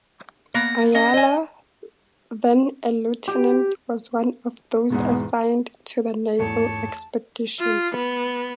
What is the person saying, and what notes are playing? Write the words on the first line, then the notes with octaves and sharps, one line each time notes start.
Ayala, then a Lieutenant was one of those assigned to the naval expedition.
A#3 B3 A#6
C#4 D#5 A#6
D#5 G#5
G4
E2 G#2 B2 B3
E2 G#2 A3 C#5 A5
F4
B3